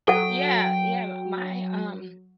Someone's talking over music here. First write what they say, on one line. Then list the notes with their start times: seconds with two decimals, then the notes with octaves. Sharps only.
Yeah, yeah, my, um
0.08 F#3 A4 F#5 G5